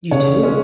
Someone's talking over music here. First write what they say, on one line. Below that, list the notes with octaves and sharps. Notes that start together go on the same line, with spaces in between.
You do.
C#3 C#5
G#3 C#4